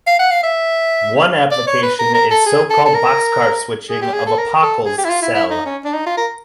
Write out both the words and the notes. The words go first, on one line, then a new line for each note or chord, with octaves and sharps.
One application is so-called boxcar switching of a Pockels cell.
F5
F#5
F5
E5
D5
C#5
B4
A#4
A#4
A4
G#4
A4
A4
A#4
G#4
G4
G#4
A4
A#4
A4
G#4
G4
E4
F4
E4
E4
D#4
C#4
D4
D#4
F4
A#4